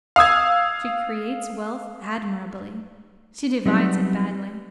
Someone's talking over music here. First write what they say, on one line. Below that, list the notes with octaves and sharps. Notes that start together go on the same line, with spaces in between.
She creates wealth admirably, she divides it badly.
F5 D#6 E6 G#6
F#3 G3 B3 C4 D#4